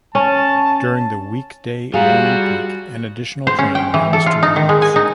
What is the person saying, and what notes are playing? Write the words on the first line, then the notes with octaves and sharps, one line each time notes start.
During the weekday morning peak an additional train runs to Leeds.
C#4 A5
G3 F4 F#4 G#4 F5 A#5
C5
C#4
G5
E3
A4
F4
D#4
D#3
G#3
G#5
D#4